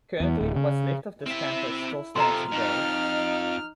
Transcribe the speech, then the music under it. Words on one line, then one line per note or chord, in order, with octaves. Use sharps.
Currently, what's left of this campus still stands today.
E2
D1
C#3
C4 E4 E5
C3 F3 A4 A#5 C6
F2 D#4 F6